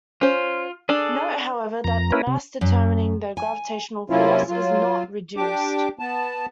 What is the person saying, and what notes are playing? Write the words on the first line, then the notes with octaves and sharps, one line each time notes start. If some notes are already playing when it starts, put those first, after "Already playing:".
Note, however, that the mass determining the gravitational force is "not" reduced.
C#4 F4 C5
D4 G#4 A4 D5
F2 A#5
C#4 E4 A#4 B4
C3
F#2
G#5
C3 F#3 A#3 C#4 E4 F4
F#3 F4
D4 G4 D6
B3 A5